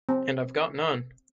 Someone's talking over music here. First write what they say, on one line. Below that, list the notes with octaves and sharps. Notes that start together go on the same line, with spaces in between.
And I’ve got none.
C4